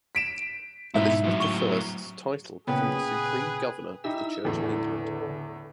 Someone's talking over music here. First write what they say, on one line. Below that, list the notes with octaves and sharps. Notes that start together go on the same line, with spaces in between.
Elizabeth the First's title became the Supreme Governor of the Church of England.
B6 D7 E7
G#2 B2 E4 E5
A2 F#3
C#6 G7
A#2 C#3 B3 G#4 B4 G5 D#6
D#4 E4 G4 E6
E2 A2 D3